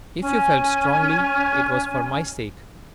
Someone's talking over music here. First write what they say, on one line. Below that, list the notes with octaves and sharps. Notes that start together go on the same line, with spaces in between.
If you felt strongly, it was for my sake.
C#4 G#5